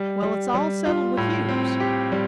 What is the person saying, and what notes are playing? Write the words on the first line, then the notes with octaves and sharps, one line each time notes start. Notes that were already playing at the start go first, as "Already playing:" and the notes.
"Well, it's all settled with Hughes."
Already playing: G3
G3
G3
F4
A2
C4
G4
G3